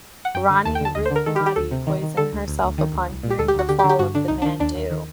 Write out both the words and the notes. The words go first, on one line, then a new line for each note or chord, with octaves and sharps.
Rani Roopmati poisoned herself upon hearing of the fall of Mandu.
F#5
F#2 G5
D3
D#2 A5
G5
D3 A5
D2 D#5
C5
D3
A#4
D#3 A4
G4
D#3
G4
D2 A4
C3
D#3
D#3
D3 A4
D2
D2
D2
D#3
D2
C2
A#2
G4
D2 A4
G4
D2 F#4
D3 G4
G4
D3
G4
G2 F#4
D3 D4
C2 D#4
D#3 D4
D#2 D4
D#2
D#3